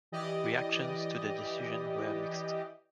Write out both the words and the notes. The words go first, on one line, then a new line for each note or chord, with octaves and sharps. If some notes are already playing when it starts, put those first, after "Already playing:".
Reactions to the decision were mixed.
E3 G4 D5 D#5